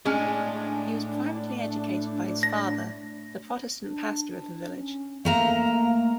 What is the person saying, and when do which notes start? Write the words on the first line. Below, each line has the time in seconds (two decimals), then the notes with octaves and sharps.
He was privately educated by his father, the Protestant pastor of the village.
0.05 A2 G#3 C#4 D4 G#5
2.43 A#6
3.83 D4
4.68 C#4
5.25 A3 A#3 F5 A#5